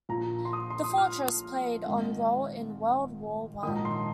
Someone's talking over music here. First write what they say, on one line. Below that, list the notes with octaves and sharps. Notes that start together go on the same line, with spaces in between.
The fortress played a role in World War One.
A#1 A#2 F3 A#5
C6
D#6
C6
D#6
F6
G#1 G#2 D#3
A#1 G#2 D#3 D#6
A#5
C6